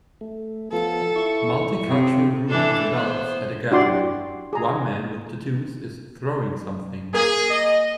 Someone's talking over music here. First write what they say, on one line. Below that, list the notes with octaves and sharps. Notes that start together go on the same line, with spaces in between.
Multicultural group of adults at a gathering, one man with tattoos is throwing something.
A3
F3 B3 F4 A4
E4 C#6
C3
E3 D4 A4
B3 C5
D4 E4 F#4 G4 D5 C6
G#4 A#5
A#3 G#4
D#5